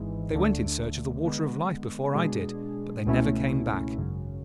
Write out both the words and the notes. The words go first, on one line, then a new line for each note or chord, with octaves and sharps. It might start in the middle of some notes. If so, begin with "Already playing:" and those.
They went in search of the Water of Life before I did, but they never came back.'
Already playing: G#1 G#2 E3 G#3
D2 D3 A3
D3 G#3 B3
B2 G#3 D4 G#4
C#2 B2 A3 C#4 E4
G#1 F#2 C#3